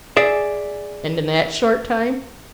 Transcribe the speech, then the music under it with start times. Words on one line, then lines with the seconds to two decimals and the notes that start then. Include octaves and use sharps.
And in that short time!
0.17 G#4 D5 E5